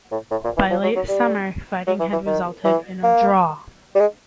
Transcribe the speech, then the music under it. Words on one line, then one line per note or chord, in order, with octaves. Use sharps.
By late summer, fighting had resulted in a draw.
A2
A2
A#2
E3
F3
F#3
F#3
G3
F#3
E3
E3
D#3
E3
A#3
G3
G#3